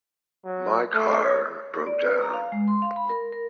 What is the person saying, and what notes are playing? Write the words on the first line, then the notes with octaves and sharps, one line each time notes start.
My car broke down.
F#3
A3
C#5
D5
B4
A#5
F5
G#3
C6
F5
B5
A#4
A#4